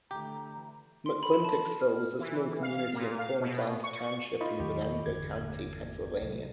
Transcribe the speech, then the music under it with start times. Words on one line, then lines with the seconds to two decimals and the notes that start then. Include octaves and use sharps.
McClintocksville was a small community in Cornplanter Township in Venango County, Pennsylvania.
0.11 D3 E3 A3 G4 A#5
1.06 C6
1.23 B5
1.45 A5
1.81 F6
2.19 E3
2.62 F5
2.93 A#2
3.19 F5
3.40 B2
3.84 C#6
4.41 D#4 F4 D#5 B5 C#6
4.60 E2 D#3 F#3 G4
5.06 G1 E2 D3 G#6
6.21 C2 F#3